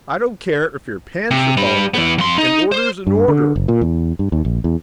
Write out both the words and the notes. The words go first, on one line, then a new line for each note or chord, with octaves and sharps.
"I don't care if your pants are falling down, an order's an order!"
C3
G3 B4
E3 B3
F2 C6
D#4 D#5
C5
G2
D3
F#1
A#2
E2
G2
D#2
A#1
E2